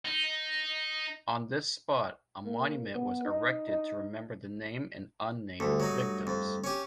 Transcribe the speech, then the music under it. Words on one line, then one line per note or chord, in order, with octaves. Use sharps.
On this spot a monument was erected to remember the named and unnamed victims.
D#4
A#3
B3
D#4
D#4
D2 G2 A3
F#3 D#4
F2
C#4 G4